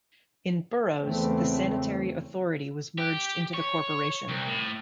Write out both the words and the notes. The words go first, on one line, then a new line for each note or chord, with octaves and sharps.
In boroughs, the sanitary authority was merged into the corporation.
E2 C#3 E3 A3 C4
G4
C#5
C2
A2